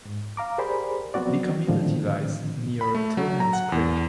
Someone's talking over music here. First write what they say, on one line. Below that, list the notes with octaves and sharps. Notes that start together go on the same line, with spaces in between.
The community lies near Tilhance Creek.
G#2
F5 A#5 D6
G4 G#4 A#4 C5 D5 B5
F3 F#3 B3 C4 F#4 D5
A2 D3 D#3 F3 C4
B5
A3
F#3
A#5
F#5
E2